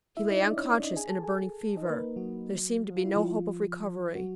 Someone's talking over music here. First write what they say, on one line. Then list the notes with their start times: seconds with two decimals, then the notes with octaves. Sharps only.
He lay unconscious in a burning fever; there seemed to be no hope of recovery.
0.17 E4 E5
0.30 D#4 D#5
0.43 D4 D5
0.57 C#4 C#5
0.70 D4 D5
0.83 D#4 D#5
0.97 G#4 G#5
1.10 A4 A5
1.23 G#4 G#5
1.77 D#4 D#5
1.84 B4
1.90 A#3 A#4
2.16 F#3 F#4
2.97 F4
3.05 E4
3.16 F3 F4
4.15 F#3 F#4